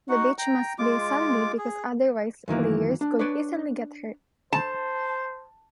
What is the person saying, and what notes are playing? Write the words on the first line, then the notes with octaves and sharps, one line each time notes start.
The beach must be sandy because otherwise players could easily get hurt.
D#4 F#4 F#5
G5 A#5
G#3 F4 D6
G#4
F#2 D#3 E3 A#3
D4
D4 B4 C#5 D5
C5 A5